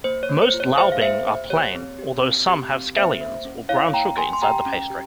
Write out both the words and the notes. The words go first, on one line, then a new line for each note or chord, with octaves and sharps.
Most laobing are plain, although some have scallions or brown sugar inside the pastry.
A#3 C5
C#5
A#3
C5
F4
C#5
G#4 C5 E5
F5
A#3 C5 E5
A#3 C5
G4 C#5
C4
G4
C4
G4
C4
A#3 C5 E5
A#3
C#4
E4 C#5 F5
A#3 G5 A#5
A#3 G#5 C6
C6
G4 G5 A#5
C#4
G4